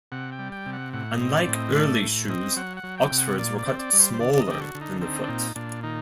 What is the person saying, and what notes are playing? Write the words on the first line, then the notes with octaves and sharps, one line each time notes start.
Unlike early shoes, Oxfords were cut smaller than the foot.
C3 F#5
G5
G3
G5
C3
F#5
A2 F#5
D#5
C4
D5
A2
D#5
A3 D5
A2
C4 D#5
F#3 F#5
F#5
F#3
G5
C3
F#5
A#2 D5
D5
C4
D5
G3
C5
C5
D3 D5
D5
D#5
D3 G4
F#4
D3
D#4
C4 D#4
D4
A#2 D#4
A#2 D4
D#3 D#4